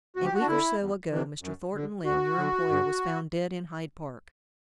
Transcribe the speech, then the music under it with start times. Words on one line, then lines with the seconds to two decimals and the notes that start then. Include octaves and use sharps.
A week or so ago, Mr. Thornton Lyne, your employer, was found dead in Hyde Park.
0.16 D2 F#4
0.25 G4
0.34 F#4
0.41 D4
0.47 D3 E4
0.79 E2
1.11 C3 E3
1.42 F#2
1.74 D3
2.05 D2 F#4
2.38 D3
2.69 G2